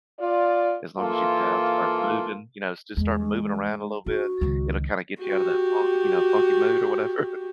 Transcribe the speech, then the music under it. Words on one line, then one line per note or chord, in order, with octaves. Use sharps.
as long as you get out and start moving, you know, st just start moving around a little bit, it'll kinda get you out of that funk, you know, funky mood or whatever.
F4 D5
E3 A#3 F4 A4
E2 G#3
D4 F#4
C#2 D#3
F#4 G4